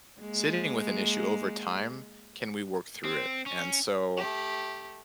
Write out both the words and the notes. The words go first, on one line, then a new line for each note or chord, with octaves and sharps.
sitting with an issue over time can we work through it. And so,
G#3 A#3
C4
C#4
A3 G4